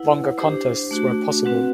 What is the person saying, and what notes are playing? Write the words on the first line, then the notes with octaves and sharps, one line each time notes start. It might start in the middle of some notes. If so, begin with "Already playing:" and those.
Longer contests were possible.
Already playing: E4 B4 F#5
D4 G4 C5
A3 D4 F#4
C4 F#4 B4 F#5